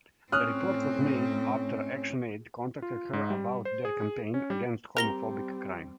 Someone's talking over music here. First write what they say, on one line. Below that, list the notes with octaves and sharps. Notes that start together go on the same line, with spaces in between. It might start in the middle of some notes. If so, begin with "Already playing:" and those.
The report was made after ActionAid contacted her about their campaign against homophobic crime.
A2 C4 C#4 D#6 F6 F#6
F4
G#2
G3
C5
G#4
C#4
G3
G3 C4 G4 A#4 A#5 A#6 G7